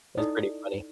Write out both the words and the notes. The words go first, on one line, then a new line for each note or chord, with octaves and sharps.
It's pretty funny.
D#4 E4 A4 D5 D#5